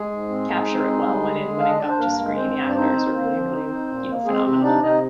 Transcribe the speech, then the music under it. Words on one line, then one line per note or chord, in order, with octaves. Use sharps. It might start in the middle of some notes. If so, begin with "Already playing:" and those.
capture it well when it when it got to screen, the actors were really, really, you know, phenomenal in that.
Already playing: G#3 G#4
G#2
C4
D#4
C4
D#4
G3
D3
D3
D4 F5
D#5
D4 D5
C5
G2 A#3 A#4
G#3
G2 C4 C5
G2
D5
C4 D#4 C5
D#4
A#3
F3
D#4
D#4
A#2
A#3
G#3 C4 G#4
C3 G4
D4 D#4 D5
C3 D#4 D#5